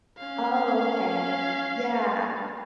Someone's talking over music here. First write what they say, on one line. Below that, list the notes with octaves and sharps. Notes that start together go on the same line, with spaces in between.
Oh, okay. Yeah.
C#4 F5